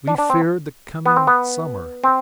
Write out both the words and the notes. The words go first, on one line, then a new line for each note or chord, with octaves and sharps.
We feared the coming summer.
D4
D4
C4
B3
C4
B3
C4